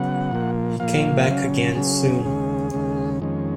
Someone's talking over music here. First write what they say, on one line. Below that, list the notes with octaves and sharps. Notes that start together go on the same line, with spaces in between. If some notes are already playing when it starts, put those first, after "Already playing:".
He came back again soon.
Already playing: C#3 F#3 B3 F#5
A#2 F3 A#3
A#2 F3 A#3 F5
C#3 F#3 C#4
C#3 F#3 C#4 G#4
D#2 C#3 G#3 C#4
D#2 C#3 G#3 C#4
F2 D#3 G#3 C#4